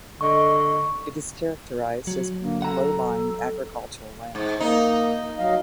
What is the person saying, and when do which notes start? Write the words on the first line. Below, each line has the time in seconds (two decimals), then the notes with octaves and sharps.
It is characterized as plain, low-lying agricultural land.
0.21 D3 D#5 C#6
2.07 F#3
2.40 A#3
2.62 A4 F#5 A#5
4.35 G#2
4.60 A#3 D#4
5.39 F#3 D#5 F5